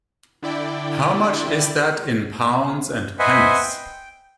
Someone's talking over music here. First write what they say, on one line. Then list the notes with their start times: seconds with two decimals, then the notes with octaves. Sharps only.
How much is that, in pounds and pence?
0.43 D3 E4 D5 G5
3.19 B4 C5 D#5 E5 F#5 G#5
3.62 G5